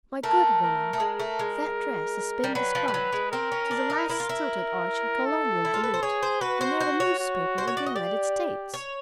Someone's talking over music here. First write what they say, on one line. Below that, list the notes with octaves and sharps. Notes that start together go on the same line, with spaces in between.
"My good woman, that dress has been described, to the last stilted arch and Colonial volute, in every newspaper in the United States!"
A3 A#4
A#4
A3
G#3 A#4
A3
G#3
G3
F#3 B4
F3
G3
F#3
G#3
C4 A#4
C#4
D4
D#4
E4 A#4
F4
E4
A4
E4
F4
B4
C5
G#4 C#5
C5
F#4 B4
C5
C5
C#5
F#4
C5
C#5
D5
D#5
G4 D5
C#5